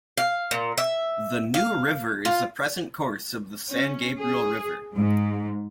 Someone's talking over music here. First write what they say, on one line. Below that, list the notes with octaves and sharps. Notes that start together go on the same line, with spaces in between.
The "New River" is the present course of the San Gabriel River.
F5
A#2
E5
F5
F4
C#4
G#4
G#2